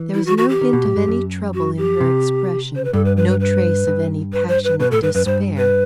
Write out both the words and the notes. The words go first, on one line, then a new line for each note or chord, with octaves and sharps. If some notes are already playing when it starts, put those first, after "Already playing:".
There was no hint of any trouble in her expression, no trace of any passionate despair.
Already playing: E3
E4
F#4
F#4
G4
D#3
B2
A2
G2
F#2
F#4
G4
C3
C5
B4
G2 A4
B4
B4
B4
B4
G2
B4
C5
B4
B2 B4
A2 A4
G2 B4
F#2 B4
G2 C5
B4